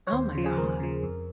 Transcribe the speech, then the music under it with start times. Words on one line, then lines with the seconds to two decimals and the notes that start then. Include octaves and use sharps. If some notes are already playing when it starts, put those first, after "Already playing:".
Oh my god.
0.07 C#5
0.12 D#2 C5
0.35 C#3 F3
0.46 G#4
0.58 D#2 A#4
0.80 C#3 F3
1.03 F2